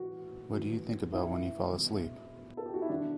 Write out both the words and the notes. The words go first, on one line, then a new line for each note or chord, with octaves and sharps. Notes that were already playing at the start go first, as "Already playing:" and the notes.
What do you think about when you fall asleep?
Already playing: A2 E3 F#4
A2 E3 F#4
E4
E2 B2
A4
G4
F#4
E4
E2 B2 D4